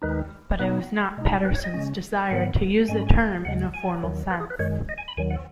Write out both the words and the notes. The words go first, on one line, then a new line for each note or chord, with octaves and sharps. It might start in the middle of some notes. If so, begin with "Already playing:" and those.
But, it was not Patterson's desire to use the term in a formal sense.
D#2 D#3 G#3 D#4 B4
B2 B3 D#4 B4
B2 G#3 D#4
B4
C#5
D#5
C#3 G#3 C#4
G#2 D#3 F#3 B3 F#5
G#2 G#3 C#4 G#5
B5
G#5
D#2 C#3 G#3 F#5
G#5
D#2 D#3 F#3
B4
G#4
B4
F#2 D#3 G#3 C#5
D#5
G#5
B5
D#2 D#3 F#3 G#5
F#5